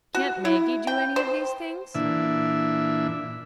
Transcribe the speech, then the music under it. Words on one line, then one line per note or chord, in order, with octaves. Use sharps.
"Can't Maggie do any of these things?"
F#4
E4
G5
C5
A#2 E3 D4 E5